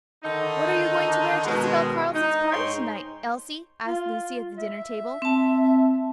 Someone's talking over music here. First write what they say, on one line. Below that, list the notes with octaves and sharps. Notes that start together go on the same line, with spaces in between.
"What are you going to wear to Isabel Carleton's party, to-night, Elsie?" asked Lucy, at the dinner table.
D3 D#3 D#4
B2 D#3 G#3
D#4
G#2 G#3 C#5 G5 C6
F4
E5
C4 A5